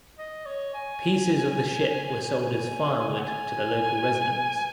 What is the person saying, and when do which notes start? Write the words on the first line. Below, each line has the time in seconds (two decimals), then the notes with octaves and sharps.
Pieces of the ship were sold as firewood to the local residents.
0.18 D#5
0.46 C#5
0.74 G#5
2.41 G#5
3.18 F#5
3.24 G#5